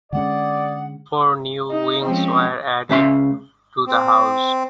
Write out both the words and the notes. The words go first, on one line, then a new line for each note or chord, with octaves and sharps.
Four new wings were added to the house.
D3 G#3 C#4 G#4 D5 F#5
D#4
F3 G#3 C4 C#4
C#2 C#3 E5 C6
C4